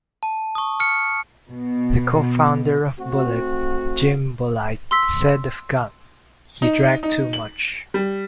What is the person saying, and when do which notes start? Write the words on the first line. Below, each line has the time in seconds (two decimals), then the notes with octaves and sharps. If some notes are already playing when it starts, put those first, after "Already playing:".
The co-founder of Bullet, Jim Bulleit, said of Gant:He drank too much...
0.23 A5
0.55 C#6 D#6
0.80 F6 C#7
1.50 B2
2.99 A3 C4 F#4
4.91 C6 E6 B6
6.62 D#4
7.03 D#4
7.33 F#7
7.94 G3